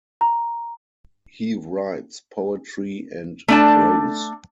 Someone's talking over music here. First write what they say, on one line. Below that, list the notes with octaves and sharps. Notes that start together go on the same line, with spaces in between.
He writes poetry and prose.
A#5
A3 D4 A5